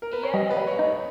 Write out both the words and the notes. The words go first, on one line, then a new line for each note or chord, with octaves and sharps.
Yeah, yeah,
A#4
B4
C#5
G3 D#5
B4
G3
C#5
D#4
C#5